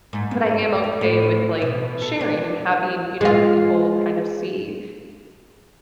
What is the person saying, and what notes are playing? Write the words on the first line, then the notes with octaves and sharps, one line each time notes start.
but I am okay with, like, sharing and having, you know, people, kind of, see,
G#2
G2
A3
A2
B2
A4
D4
G#3 F4